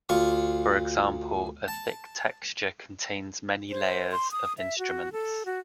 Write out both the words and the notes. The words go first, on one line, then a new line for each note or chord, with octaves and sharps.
For example, a thick texture contains many "layers" of instruments.
D2 F4 C#6
A5
C5
C6
D#6
E5
F#4
A4
F#4